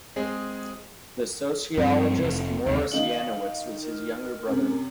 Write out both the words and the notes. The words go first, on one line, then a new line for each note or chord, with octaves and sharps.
The sociologist Morris Janowitz was his younger brother.
G#3 C4 G#4
G2 F3 C4
F1
D#2 C3
D#3 D#4 F5 F#7
A#4
F#2 C3